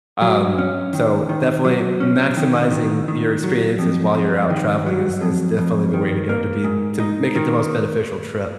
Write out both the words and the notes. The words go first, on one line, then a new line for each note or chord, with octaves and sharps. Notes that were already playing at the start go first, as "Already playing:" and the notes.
Um, so definitely maximizing your experiences while you're out traveling is is definitely the way to go to be to make it the most beneficial trip.
F#3
C#4
D#3
D#3
F#3
C#4
D#3
D#3
D#3
F#3
F2
F2
D#3
F#3
F2
F2
D#3
A#3
G#2
D#4
D#3